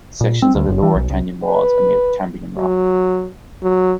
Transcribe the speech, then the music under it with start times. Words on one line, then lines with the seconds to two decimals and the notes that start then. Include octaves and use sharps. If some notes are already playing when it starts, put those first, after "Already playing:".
Sections of the lower canyon walls are made of Cambrian rock.
0.21 A#2
0.42 C4
0.55 D2
0.69 F#1
0.82 E3
0.96 B1
1.10 C2
1.43 B4
2.58 F#3
3.63 F#3